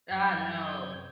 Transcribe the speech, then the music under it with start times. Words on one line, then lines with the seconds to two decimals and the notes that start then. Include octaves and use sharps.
Ah, no.
0.11 F#2 G6 G#6